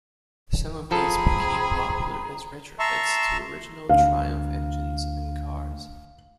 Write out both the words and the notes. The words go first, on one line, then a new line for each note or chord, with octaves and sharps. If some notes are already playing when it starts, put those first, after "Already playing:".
Some of these became popular as retrofits to original Triumph engines and cars.
F3 C4 G#4 A4 A#5 B5
E5 A5 A#5 C6 C#6 E6
D2 F5